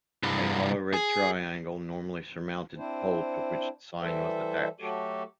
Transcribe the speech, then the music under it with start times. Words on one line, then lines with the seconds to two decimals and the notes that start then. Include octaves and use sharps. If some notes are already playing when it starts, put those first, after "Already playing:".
A hollow red triangle normally surmounted the pole to which the sign was attached.
0.23 C2 G2
0.94 G#4
2.76 C4 D4 E4 C5
4.01 E3 G3 A4 C5 E5
4.80 F#3 A3 F#4 G4 A4